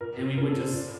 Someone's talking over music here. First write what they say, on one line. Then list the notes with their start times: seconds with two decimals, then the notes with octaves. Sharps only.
and we would just
0.01 A#2 A#4
0.19 A#2
0.36 A#2 A#4
0.49 A4
0.56 A#2
0.61 C5
0.73 A#2 D5